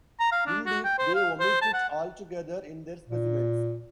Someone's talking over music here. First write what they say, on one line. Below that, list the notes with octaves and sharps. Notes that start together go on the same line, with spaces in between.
Indeed, they omit it altogether in their specimens...
A#5
F5
D4
F#4
G5
C5
F5
C5
A5
F#5
A#2